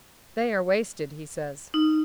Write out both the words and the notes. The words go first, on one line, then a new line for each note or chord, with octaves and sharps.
"They are wasted, he says."
D#4